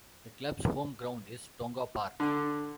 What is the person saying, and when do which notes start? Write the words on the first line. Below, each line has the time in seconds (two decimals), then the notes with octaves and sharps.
The club's home ground is Tonga Park.
2.20 D3